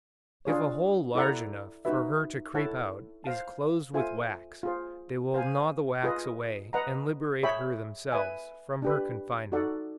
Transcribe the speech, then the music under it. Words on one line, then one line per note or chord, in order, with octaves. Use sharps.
If a hole large enough for her to creep out, is closed with wax, they will gnaw the wax away, and liberate her themselves, from her confinement.
D4 F4 G#4 C#5
E4 A4 D5 F#5 A#5
D#4 F#4 B4 E5
E4 A4 C#5 F#5 A5
C5 F5 A5
F4 A4 C5 E5 G#5
F4 G#4 C5
C5 F5 G#5
F4 G#4 B4 D#5
B4 D#5 F#5 A#5
G#4 C#5 E5 G5 B5
B4 E5 G#5
D4 G4 B4
D#4 F#4 A4 D5 F#5